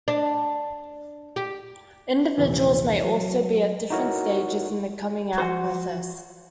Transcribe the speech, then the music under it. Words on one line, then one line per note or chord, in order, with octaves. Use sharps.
Individuals may also be at different stages in the coming out process.
D4
G4
A#1 D#2 C3 E3
F#3
D#4 E4 F#4 A#4 C#5
F3 F#4 C5